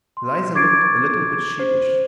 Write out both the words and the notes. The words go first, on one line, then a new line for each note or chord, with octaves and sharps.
Eliza looked a little bit sheepish.
C6
C#6 D6 G#6 A6 C7 D7
C5